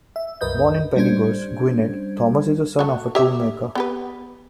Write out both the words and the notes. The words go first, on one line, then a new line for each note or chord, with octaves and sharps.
Born in Penygroes, Gwynedd, Thomas is the son of a toolmaker.
E5
C2 F#2 A#4 B4 D#5 G6
G3 C#4 D4 C5 G#6
A3 F#4
G4 C#5 E5
B3 G4 B4